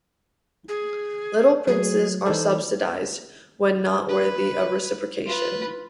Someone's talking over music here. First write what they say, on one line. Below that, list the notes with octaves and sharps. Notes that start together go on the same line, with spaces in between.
Little princes are subsidized, when not worthy of reciprocation.
G#4
F#3 A3 G#4
E3 D#4 A4 C5
B4
F4 B4